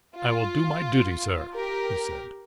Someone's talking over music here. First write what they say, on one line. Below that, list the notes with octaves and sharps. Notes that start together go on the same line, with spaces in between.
"I will do my duty, sir," he said.
F4
G4 A#4